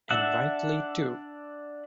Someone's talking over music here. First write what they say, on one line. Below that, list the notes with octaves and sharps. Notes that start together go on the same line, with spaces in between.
And rightly too.
D4 E5 F#5